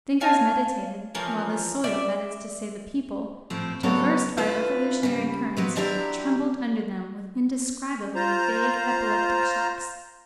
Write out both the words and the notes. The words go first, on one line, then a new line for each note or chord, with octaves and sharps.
Thinkers meditated, while the soil, that is to say, the people, traversed by revolutionary currents, trembled under them with indescribably vague epileptic shocks.
C#5 F5 G#5 A5
E3 F3 C#4 A#4
D5 E5
A2 F3 C4
C#3 F#3 B3 D4 A4 C#5
D3 E4 F4 B4
C#3 G3
F3 F#3 B3
D3 F#3 D4 E4 G4 A#5
F4 C5 A#5